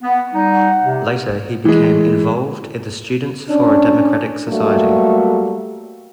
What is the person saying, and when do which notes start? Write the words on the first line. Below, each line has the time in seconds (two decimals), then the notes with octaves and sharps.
Later he became involved in the Students for a Democratic Society.
0.03 B3 F#5
0.34 G3 D#4
0.52 F#5
0.83 C3
1.65 E3 G#3
3.50 C#4 D4
4.49 F#3 G3 A3 A#3